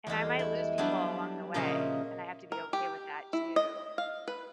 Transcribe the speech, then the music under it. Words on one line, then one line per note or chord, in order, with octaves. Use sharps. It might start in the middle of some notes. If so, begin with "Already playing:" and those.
And I might lose people along the way, and I have to be okay with that too.
E2 G3 G#3 A4
E4
F#3 G3 B3 D4
A#2 C#3 F3 D#5 E5
A#4
G4
E4
D#5
F5
B4